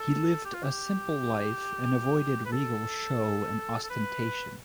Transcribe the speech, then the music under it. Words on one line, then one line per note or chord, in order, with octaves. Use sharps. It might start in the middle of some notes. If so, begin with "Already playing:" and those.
He lived a simple life and avoided regal show and ostentation.
Already playing: A4
G4
F4
G4
B4
A4
A4
B4